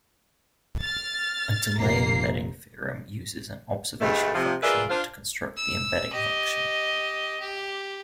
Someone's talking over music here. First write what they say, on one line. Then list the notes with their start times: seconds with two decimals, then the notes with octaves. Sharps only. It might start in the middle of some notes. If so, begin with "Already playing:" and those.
A delay embedding theorem uses an "observation function" to construct the embedding function.
0.82 F6 A6
1.78 F1 A#1 A#2 A#3 A#5 C7
4.01 D2 G2 G#3 A3
4.34 C3 F3
4.63 F4 G#4 A#4 B4 D5 E5
4.90 D4 F4 C5
5.57 E6
6.12 G4 D#5
7.40 G4